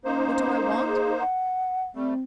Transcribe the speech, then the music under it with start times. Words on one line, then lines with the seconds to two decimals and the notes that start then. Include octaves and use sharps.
What do I want?
0.05 A#3 C#4 D#4 C5
0.88 G#4
1.19 F#5
1.95 G3 A3 C4